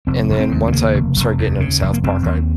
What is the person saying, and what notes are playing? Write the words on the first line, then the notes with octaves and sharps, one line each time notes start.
and then once I started getting into South Park, I
F1 C4
F1
C4
D#2
C4
C#3 A#3
F1
F1
D#2
C#3
F1
A#3
F1 C4
D#2